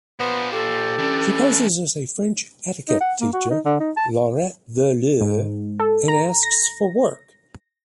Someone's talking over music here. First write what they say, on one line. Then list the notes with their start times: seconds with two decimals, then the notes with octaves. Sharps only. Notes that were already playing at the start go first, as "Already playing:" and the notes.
She poses as a French etiquette teacher, Laurette Voleur, and asks for work.
0.20 A#2 B3 C5
0.52 G4 A4
0.99 E3 C#4 D4
2.89 D#4
3.01 F#5
3.21 A#3
3.33 F#4
3.50 D#4
3.65 D3
3.80 D#4
3.97 A5
5.21 G#2
5.79 A4
6.08 A#5
6.43 A#6